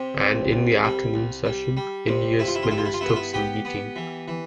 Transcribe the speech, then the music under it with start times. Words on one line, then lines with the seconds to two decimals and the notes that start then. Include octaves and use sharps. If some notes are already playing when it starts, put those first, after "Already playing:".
And in the afternoon session, India's spinners took some beating.
Already playing: C3 G4
0.20 C2
0.51 C2
0.83 G3
1.14 C2
1.45 G3
1.77 G3
2.08 C3
2.39 G2 E4
2.47 F4
2.55 E4
2.63 F4
2.71 G2 E4
2.78 F4
2.85 E4
2.93 F4
3.01 B3 E4
3.09 F4
3.16 E4
3.33 B3 G4
3.65 B3
3.96 E3
4.28 E3